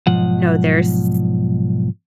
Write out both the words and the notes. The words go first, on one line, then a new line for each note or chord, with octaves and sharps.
No. There's
B1 G#2 F3 F#5